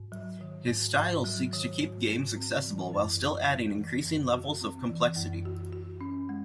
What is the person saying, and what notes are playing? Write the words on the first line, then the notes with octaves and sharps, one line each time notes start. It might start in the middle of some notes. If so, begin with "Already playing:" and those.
His style seeks to keep games accessible while still adding increasing levels of complexity.
Already playing: G#2
F#3
D#3
G#2
G#2
F#3
D#3
G#2
G#2
C4
E3
F#2
F#4
C4
E3
F#2
F#4
C4
E3
F#2
F#4
F#4
C#4
G#3